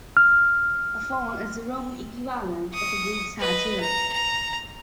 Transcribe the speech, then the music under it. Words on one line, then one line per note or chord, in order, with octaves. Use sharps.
A Faun is the Roman equivalent of a Greek Satyr.
F6
C#6 D#6
B4 D#5
A#5
A#5